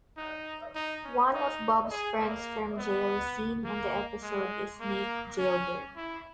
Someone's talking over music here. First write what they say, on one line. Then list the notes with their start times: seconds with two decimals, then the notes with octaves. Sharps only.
One of Bob's friends from jail seen in the episode is Snake Jailbird.
0.17 D#4
0.75 D#4
1.04 C#4
1.33 D#4
1.91 G#4
2.20 A#3
2.78 B3
3.64 A#3
4.23 G#3
4.80 A#3
5.38 C#4
5.96 E4